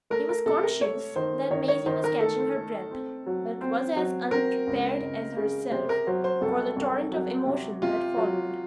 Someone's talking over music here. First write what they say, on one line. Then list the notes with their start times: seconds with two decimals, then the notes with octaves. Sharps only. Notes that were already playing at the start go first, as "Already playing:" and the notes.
He was conscious that Maisie was catching her breath, but was as unprepared as herself for the torrent of emotion that followed.
0.10 A3 A#4
0.29 A#4
0.46 C3 A4
0.63 A#4
0.81 A3 C#5
1.16 D#3 C5
1.51 D#3 C#5
1.68 C#5
1.86 D#3 C5
2.04 A#4
2.21 A3 A4
2.56 A3
2.91 C4
3.26 F#3
3.61 C4
3.96 F#3
4.31 C4 A#4
4.67 C#2
5.01 C#2
5.37 C#3
5.71 C3 C5
5.89 A#4
6.07 F#3 C5
6.24 C5
6.41 C2 A4
6.76 C2
7.12 F#3
7.46 C3
7.82 C3 F4
8.17 F#3